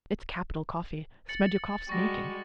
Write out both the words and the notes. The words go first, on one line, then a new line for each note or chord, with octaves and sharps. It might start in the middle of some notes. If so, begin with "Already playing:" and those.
It's capital coffee: Smerdyakov's making.
A6 C#7 F#7
G3 G#3 F#4 C#6 A#6